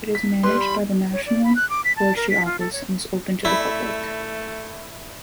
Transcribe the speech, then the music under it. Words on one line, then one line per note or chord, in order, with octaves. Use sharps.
It is managed by the National Forestry Office and is open to the public.
B6
G3 B4 C6
B5
C#5
D5
B5
F#6
D6
B6
A5
A#4
B6
F4
A4
C#5
A3 E4 D5 E5 B5